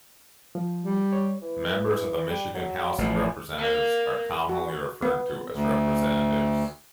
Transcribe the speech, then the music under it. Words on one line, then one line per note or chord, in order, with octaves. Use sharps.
Members of the Michigan House of Representatives are commonly referred to as representatives.
F3
G3
C#5
E3
G3
F#3
A1 F3
A#3
F#4
B3
D2